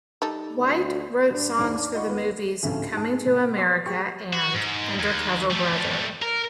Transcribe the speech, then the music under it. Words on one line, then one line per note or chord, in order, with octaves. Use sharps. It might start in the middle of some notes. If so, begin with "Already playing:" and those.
White wrote songs for the movies "Coming to America" and "Undercover Brother".
G3 D#4 A4
D2
G2 G3 D4
D#2 G#2 D4 B5
D4
D#4 F4 D#5 F#5 B5 C#6
D#2 B3 B4
D2 A2 C3 F3 A3 C#4
G#2 A5
G#3
B2
C#5 C6 D6 G#6 A#6
G4 G#4 G5 C#6
F#4
G#2
D#2
G3 A3
A#4